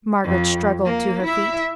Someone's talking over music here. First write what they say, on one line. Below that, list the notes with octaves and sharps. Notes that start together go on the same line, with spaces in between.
Margaret struggled to her feet.
F2
A#3
E4 E5